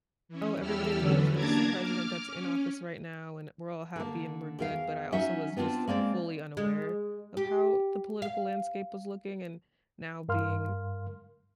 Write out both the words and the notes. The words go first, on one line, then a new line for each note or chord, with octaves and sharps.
"Oh, everybody loves this president that's in office right now and we're all happy and we're good," but I also was just fully unaware of how the political landscape was looking, and now being
E3 C#4
E2 E4 G4 A4 E6 F6
D3 E3 F#3 A3 B3 C#4
A#3 D4 A5 A#5 D6 G#6
D6 F6
C#4
D3 A#3
E2 A#4 F5
F#3 C#4 D#4 E5
B3 C4 D4 F4
G#3 A#3 C4 D5
G#3
G4
F5
G2 A#4 F5 C6 F6